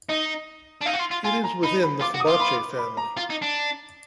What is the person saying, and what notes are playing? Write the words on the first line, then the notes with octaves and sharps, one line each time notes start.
It is within the Fabaceae family.
D#4 D#5
D4
D#4 F5
F#4
F4
F4
F4 G#5
A#5
D#4 B5
B5
F4 D6
F#4
D#6
F4
D6
B5
B5
A#5
F4
D#4
D4